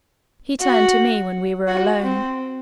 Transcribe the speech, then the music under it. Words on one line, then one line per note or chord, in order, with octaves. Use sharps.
He turned to me when we were alone.
F#4
F#4
C4